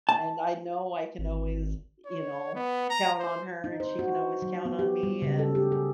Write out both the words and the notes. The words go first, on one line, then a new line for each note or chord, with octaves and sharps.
and I know I can always, eh, you know, count on her, and she can always count on me, and
A5
G#1
C#5
B3
A#5
C5
D#4
C5
F#4
F#3
B3
G4
G3
C#3
A4
G4
G#4